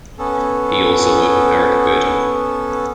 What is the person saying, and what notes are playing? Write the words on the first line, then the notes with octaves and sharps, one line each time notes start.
He also worked with Eric Burdon.
B3 C#4 A4